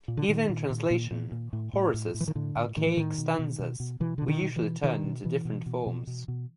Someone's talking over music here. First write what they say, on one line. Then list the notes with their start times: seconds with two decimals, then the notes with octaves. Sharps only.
Even in translation Horace's Alcaic stanzas were usually turned into different forms.
0.08 A#2
0.17 D3
0.28 A#2 D#3
0.49 A#2
0.70 A#2
0.91 A#2
1.11 A#2
1.32 A#2
1.53 A2
1.73 A2
1.94 A2
2.14 A2
2.20 E3
2.28 D#3
2.35 A2 D3
2.56 A2
2.77 A2 D#3
2.87 E3
2.97 A2 D#3
3.18 B2
3.39 B2
3.59 B2
3.80 B2
4.00 B2 E3
4.18 B2 D3
4.28 D#3
4.42 B2
4.56 E3
4.62 B2
4.83 B2 D#3
5.04 B2
5.25 B2 E3
5.45 B2
5.66 B2
5.86 B2
6.07 B2
6.28 B2